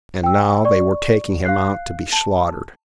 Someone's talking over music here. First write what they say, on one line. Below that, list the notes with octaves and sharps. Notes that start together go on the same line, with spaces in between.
And now they were taking him out to be slaughtered.
G5 E6
D5 C#6
F5 F#6 C7
A5